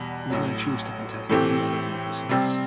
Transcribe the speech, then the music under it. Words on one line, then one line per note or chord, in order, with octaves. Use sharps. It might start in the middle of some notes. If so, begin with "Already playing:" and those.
He did not choose to contest any other local seats.
Already playing: E2 B2 G3
A1 A2 F#3
A2 E3 A3 C4 G4
C3 G3 C4